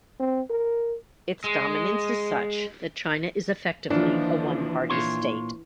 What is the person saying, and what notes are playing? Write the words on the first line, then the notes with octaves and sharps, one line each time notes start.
Its dominance is such that China is effectively a one-party state.
C4
A#4
G#3
D#2 E3 F3 D4
A#2 C#5 C6